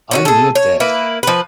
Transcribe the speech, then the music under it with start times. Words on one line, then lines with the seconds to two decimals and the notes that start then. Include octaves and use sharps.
I'm near dead.
0.11 C#4 D#4 F#4
0.25 G#4 A4
0.55 C#5
0.80 A#3 E4 B4
1.23 F3 B4